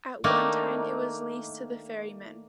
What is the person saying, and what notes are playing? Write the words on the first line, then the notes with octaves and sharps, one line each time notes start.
At one time it was leased to the ferrymen.
D#3 A3 A#3 D4 D#4